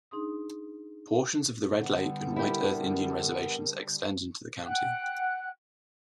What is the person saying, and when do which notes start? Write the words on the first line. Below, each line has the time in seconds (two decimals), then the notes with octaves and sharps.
Portions of the Red Lake and White Earth Indian reservations extend into the county.
0.11 D4 D#4 G#4 C6 D#6
1.77 D3 G3 B3
2.36 E4 G4 A#4
4.64 F#5 G5 F#6